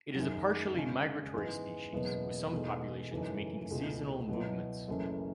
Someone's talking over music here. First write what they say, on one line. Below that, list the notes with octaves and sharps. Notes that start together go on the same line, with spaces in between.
It is a partially migratory species, with some populations making seasonal movements.
F#2 D#3 F#3
C#3 G#3 C#4
G#2 E3 G#3 B3
F#1 E2 B2 F#3 B3
E2 B2 G#3 D#4 A4
F#2 C#3 E3 A3 D#4
C#2 B2 A3 E4 G#4
B2 F#3 B3 E4
F#1 F#2 E3 A3 C#4